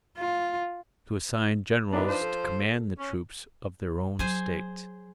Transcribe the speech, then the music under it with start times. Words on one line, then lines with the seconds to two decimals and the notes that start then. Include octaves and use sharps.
To assign generals to command the troops of their own State.
0.18 F4
1.93 E2 D3 E3 D4 D#4 B4
2.07 F3 C5
2.21 A4
2.98 C#4
4.19 F#3 G#4 C5 G#5